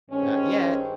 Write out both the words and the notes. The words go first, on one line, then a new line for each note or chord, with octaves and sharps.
"Not yet."
G2 D#3 G#3 C4 C#4